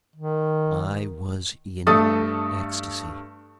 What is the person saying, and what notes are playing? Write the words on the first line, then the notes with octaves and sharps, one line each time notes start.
I was in ecstacy.
D#3
G2 A3 A4 D#6 A6